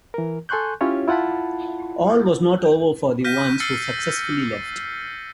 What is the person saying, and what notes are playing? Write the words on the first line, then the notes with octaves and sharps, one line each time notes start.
All was not over for the ones who successfully left.
E3 A#4
A4 G#5 C6 C#6 F#6 G6
C#4 E4 F4 G4 C#5
E4 F4 F#5 A5 B5
F6 G6 A#6 B6 D#7
E6 F6 A6 C7 C#7